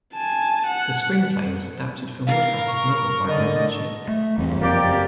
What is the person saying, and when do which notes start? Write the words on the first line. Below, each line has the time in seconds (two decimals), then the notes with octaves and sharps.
The screenplay was adapted from Wodehouse's novel by Reuben Ship.
0.14 G#5 A5
0.66 F#5
2.27 A#4 F5
2.68 C#6
3.28 D3 D#5
4.08 A3
4.38 E2 G2 C4
4.61 F#1 F2 F3 A#3 G4 D5
4.90 F#2